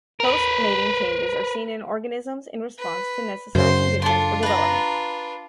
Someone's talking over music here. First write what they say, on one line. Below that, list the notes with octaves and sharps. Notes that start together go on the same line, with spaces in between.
Post-mating changes are seen in organisms in response to necessary conditions for development.
A#4 B4
B4
F#2 C#3 C5 C6
D4 F4 A4 C6
B4 A#5